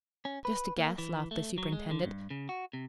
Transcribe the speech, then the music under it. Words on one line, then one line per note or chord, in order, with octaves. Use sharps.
"Just a guess," laughed the superintendent.
C#4
B4
A#3
E3
A3
F#3
G#3
D3
G2
C#3
F#4
C3